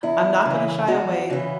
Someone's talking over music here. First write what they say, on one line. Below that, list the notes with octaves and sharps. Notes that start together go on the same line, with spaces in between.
I'm not gonna shy away
E2 E4
C#3 E3
E2 F#4
C#3 E3 F#4